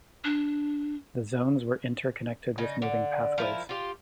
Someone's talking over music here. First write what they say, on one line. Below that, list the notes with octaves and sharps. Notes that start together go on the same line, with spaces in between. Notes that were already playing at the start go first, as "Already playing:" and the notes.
The zones were interconnected with moving pathways.
D4
C#3 D#4
D3
F3 D4 E4 A#4
F4 G4